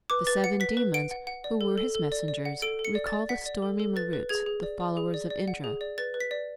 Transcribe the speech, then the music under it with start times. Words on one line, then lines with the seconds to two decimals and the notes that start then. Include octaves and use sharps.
The seven demons, who were his messengers, recall the stormy Maruts, the followers of Indra.
0.10 B4 D6
0.27 B4 A6
0.44 F#5 C#7
0.60 B4 B6
0.77 B4
0.94 F#5 D7
1.11 F#5
1.27 F#5
1.44 D5
1.61 A4
1.78 A4
1.95 A4
2.12 D5
2.28 D5
2.45 F#5
2.62 A4 D7
2.79 A4
2.85 C#7
2.95 D5
3.07 A6
3.13 D5
3.29 F#5 B6
3.46 D5
3.62 A4
3.80 A4
3.96 B4 A6
4.13 B4
4.29 G#4 G#6
4.46 G#4
4.63 D5
4.80 D5
4.97 G#4
5.14 D5
5.30 D5
5.48 F#5
5.64 G#4
5.81 D5
5.98 B4 A6
6.14 B4
6.21 B6
6.31 D5